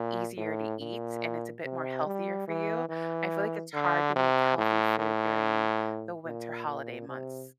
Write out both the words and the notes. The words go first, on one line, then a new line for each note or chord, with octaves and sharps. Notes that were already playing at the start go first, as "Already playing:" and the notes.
easier to eat, and it's a bit more healthier for you. I feel like it's hard to make healthy food during the winter holiday months.
Already playing: A#2
A2
A#2
C3
G3
E3
E3
D3
C3
A2
A2
A#2
A#2
C3